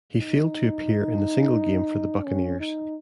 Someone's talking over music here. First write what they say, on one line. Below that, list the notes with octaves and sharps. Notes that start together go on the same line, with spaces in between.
He failed to appear in a single game for the Buccaneers.
D#4
C#4
D#4